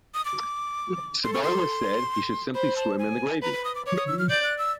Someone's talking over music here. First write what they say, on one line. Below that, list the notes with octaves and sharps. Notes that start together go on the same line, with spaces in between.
Sibelius said that he should simply swim in the gravy.
D#6
D6
A4 C6
C#6
C6
C5 B5
A5
G#5
B4 A#5
B5
D#6
D6
C#5 D6
D#6
E6
F6
D5 G6
F#6
E6